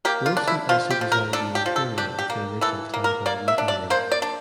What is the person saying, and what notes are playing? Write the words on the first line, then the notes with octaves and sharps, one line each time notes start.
Wilson also designed the interior of the original Town Hall meeting room.
A#3 G4
F4
D4
E4
F3 F4
G4
F3
A#4
D4 A4
G4
F3
A4
D4 G4
G4
A#3
E3 A4
A#3
A#4
A#3 D5
E5
D4
D5
A#3 C5
D5
D4